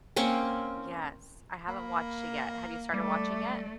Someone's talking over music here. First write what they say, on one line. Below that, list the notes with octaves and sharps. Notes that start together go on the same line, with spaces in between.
Yes, I haven't watched it yet. Have you started watching it?
A#3 C4 C#4 C#6
A#3 B5
G3 A3 D6